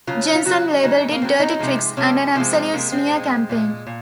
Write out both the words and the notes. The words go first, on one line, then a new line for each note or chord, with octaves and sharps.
Jensen labelled it "dirty tricks" and an "absolute smear campaign".
C#3 F#3 F4
F4
C#3 F#3 F#4
C#3 F#3 D#4
A#3
C#3 F#3 C4
D#4
C3 F3 G#3
C3 F3 G#3 C#4
C3 F3 G#3 C4
C3 F3 G#3 A#3
C4
A#2 G#3
A#2 G#3
A#2